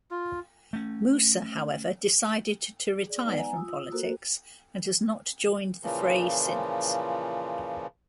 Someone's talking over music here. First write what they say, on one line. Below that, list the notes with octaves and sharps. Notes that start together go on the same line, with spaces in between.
Musa, however, decided to retire from politics and has not joined the fray since.
F4
A3 C#4
G#4 D5
G#3 B3 D#4 B4 D5 F#5
G#5 A#5
F4 D#6 E6
A#3 F#4 A4 A#4 C5
A#2 C#3 E3 F3